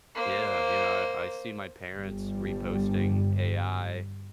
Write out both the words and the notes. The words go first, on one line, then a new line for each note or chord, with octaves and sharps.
Yeah, you know, I I see my parents reposting AI
A#3 C5
G1 G3